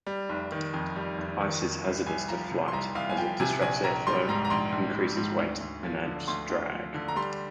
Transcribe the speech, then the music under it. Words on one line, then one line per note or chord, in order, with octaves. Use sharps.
Ice is hazardous to flight as it disrupts airflow, increases weight, and adds drag.
G3
F1
D#3
F2
G3
F1
D#3
F2
C2
C2 G#5
F3 A#5
C3
C6
C2 A#5
C2 F5
G#5
F3 G5
C3 G#5
A#1 G#5
A#1 A#5
G3 C6
G#2 A#5
A#5
A#1 C6
A#1
G3
G#2
D2
D2
F3
D3
D2 C6
D2
F3
D3
A#5
G3 C6